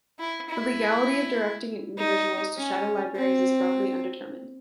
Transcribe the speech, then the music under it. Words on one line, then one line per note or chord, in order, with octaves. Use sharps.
The legality of directing individuals to shadow libraries is broadly undetermined.
E4
E4
D#4
C#4
C4